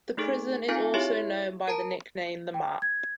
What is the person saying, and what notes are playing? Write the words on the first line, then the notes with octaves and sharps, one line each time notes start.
The prison is also known by the nickname 'The Map'.
A3 D#4 G#4 A4
C4 D#4 F4 A4 F5 G#5
E4 G4 G#4 C#5 E5
A#4 A5 A#5
G5
G#6